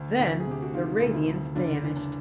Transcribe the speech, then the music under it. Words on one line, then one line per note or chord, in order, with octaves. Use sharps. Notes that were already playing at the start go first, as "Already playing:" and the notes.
Then the radiance vanished.
Already playing: D2
D2
G#4
C3 G4
F#4
D#3 F4
D2
E4
D2
F#1 D4
E3
D4